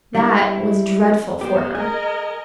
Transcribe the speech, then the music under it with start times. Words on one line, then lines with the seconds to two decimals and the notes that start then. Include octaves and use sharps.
That was dreadful for her.
0.15 G3 D4 E4
1.41 B3 G4 C5
1.75 G#4 A#4 D#5 G#5